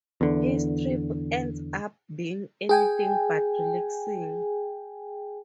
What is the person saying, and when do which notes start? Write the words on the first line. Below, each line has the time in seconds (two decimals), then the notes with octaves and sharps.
His trip ends up being anything but relaxing.
0.21 E2 D3
2.69 G#4 G5 G#5